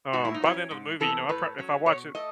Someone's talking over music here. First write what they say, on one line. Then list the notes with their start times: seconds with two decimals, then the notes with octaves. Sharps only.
um, by the end of the movie, you know, I pr if I watch it
0.13 G#2 F#4
0.25 E4
0.34 D#4
0.42 F#3 C#4 E4
0.71 G#2
1.00 E3 B3 A4
1.29 A2 B4
1.58 F#3 C#4
1.86 B2 C#5
2.15 A3 D#5